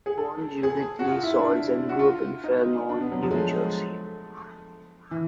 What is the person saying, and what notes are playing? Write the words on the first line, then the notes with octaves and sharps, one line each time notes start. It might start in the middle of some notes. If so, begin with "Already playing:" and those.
She was born Judith Lee Sauls and grew up in Fair Lawn, New Jersey.
G#4
A4
G#4
F#4
F4
E4
D4
F#4
F4
D#4
D4
B3
F#3
F3
G#3
A3
E3